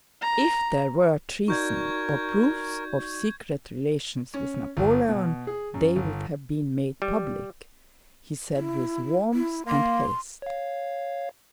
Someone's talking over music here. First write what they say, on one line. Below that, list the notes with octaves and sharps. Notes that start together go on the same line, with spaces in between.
"If there were treason, or proofs of secret relations with Napoleon, they would have been made public," he said with warmth and haste.
A#5
D#4 F#4 A#4 D5 C#6 G6 G#6
C#4
G1
B2
G#4
F#2
G1
G3
E4
E4
A#3 C6
C#5 F5